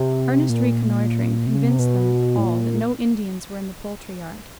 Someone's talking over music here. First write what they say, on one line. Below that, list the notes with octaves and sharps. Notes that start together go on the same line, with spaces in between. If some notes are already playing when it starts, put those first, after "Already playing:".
Earnest reconnoitring convinced them all that no Indians were in the poultry-yard.
Already playing: C3
A#2
C3
C#3
C3
B2
A2
A#2